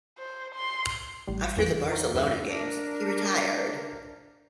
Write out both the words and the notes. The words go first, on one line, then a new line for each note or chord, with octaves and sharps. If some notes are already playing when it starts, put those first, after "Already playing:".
After the Barcelona games he retired.
C5
C6
A1 G3
F2 E3 D7
D#4 A#4 C#5
E2 G2 B4 E6
D4 A#4